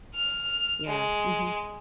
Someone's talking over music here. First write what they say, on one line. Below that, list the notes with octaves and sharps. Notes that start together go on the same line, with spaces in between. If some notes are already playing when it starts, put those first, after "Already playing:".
Yeah, mhm.
F6
G#3